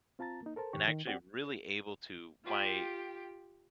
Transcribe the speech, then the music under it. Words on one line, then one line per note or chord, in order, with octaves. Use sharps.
and actually really able to my,
C4 F4 A5 A#5 A6
A#3 D#4
A4 A#4 C5 A5
F2 G#2 D#3 G4 C#6
D#3
C4 G4 D5 F#5
F4 G4 G5